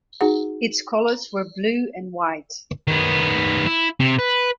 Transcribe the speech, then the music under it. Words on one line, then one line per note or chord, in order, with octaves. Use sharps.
Its colours were blue and white.
D#4 F#4 G#4 F#5
D#3 B3
E4
C3
B4